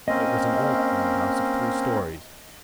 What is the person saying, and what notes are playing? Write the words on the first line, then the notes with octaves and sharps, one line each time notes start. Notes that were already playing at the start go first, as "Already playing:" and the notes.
It was an old green house of three storeys.
A#3 C4 C#4 D#5